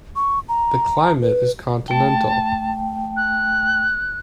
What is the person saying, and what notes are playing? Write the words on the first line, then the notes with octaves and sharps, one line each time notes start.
The climate is continental.
C#6
A#5
B4
A3 G5 A5
F#6